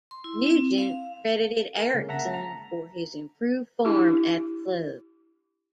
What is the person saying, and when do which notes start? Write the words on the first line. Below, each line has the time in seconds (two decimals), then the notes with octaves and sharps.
Nugent credited Eriksson for his improved form at the club.
0.11 C6
0.24 E4
0.47 C4
0.78 F5
1.75 A#4
1.94 C#3 G#3 A#3 C#4
2.09 E5 F#5 A5 A#5 A#6 B6
2.34 A#5
3.85 D4 E4 G4